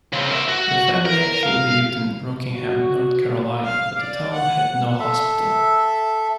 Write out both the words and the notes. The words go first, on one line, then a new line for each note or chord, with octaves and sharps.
The family actually lived in Rockingham, North Carolina but the town had no hospital.
C#3 C4
A#4 E5
F#4
A#4
F5
F#4
F5
D5
F#5
A4 E5